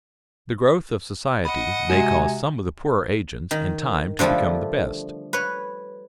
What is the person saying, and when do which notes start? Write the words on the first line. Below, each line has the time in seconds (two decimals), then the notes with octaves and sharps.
The growth of society may cause some of the poorer agents in time to become the best.
1.45 D#5 F#5 B5
1.90 C3 G#3 F#4 G#5
3.51 D#3
4.19 D3 F3 G3 A3 A4
5.33 B4 C#5